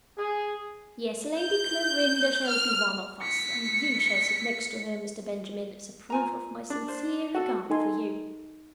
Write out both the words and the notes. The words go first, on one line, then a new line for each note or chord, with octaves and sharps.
Yes, Lady Clarinda shall be one of us; and you shall sit next to her, Mr. Benjamin, as a proof of my sincere regard for you.
G#4
G6
F6
B6 C#7
F4 G#5 A#5
D4
C5
F#4 A4
D#4 A4 G#5 C6